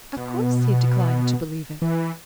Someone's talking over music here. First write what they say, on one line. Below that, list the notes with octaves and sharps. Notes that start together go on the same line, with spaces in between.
Of course he declined to believe it.
B2
E3